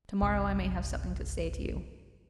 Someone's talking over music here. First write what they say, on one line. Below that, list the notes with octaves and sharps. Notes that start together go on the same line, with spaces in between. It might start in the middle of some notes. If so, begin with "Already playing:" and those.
To-morrow I may have something to say to you....
G1 C2